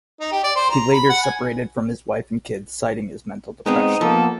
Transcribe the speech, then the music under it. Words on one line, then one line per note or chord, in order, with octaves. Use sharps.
He later separated from his wife and kids citing his mental depression.
D#4
G4
D5
C5
A#5
B5
F#5
G#5
G#3 B3 C4 D#4
F3 A#3 B3 A4